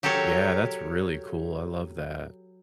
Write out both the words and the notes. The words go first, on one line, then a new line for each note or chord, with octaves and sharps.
Yeah, that's really cool, I love that,
F#3 G4 A4 A#4 C#5